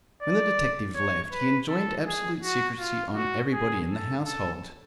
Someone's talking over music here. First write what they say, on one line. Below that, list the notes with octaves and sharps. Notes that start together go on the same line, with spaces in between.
When the detective left he enjoined absolute secrecy on everybody in the household.
D5
C#5
B4
A4
G#4
F#4
F4
F#4
G#4
A4
A4